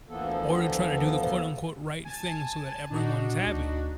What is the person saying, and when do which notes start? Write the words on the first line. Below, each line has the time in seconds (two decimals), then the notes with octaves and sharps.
or to try to do the quote unquote, "right thing" so that everyone's happy,
0.09 D2 E3 F3 A#3 B3 A4
2.05 G#5 A5
2.90 A#2 D4 D#4 F#4
3.46 D2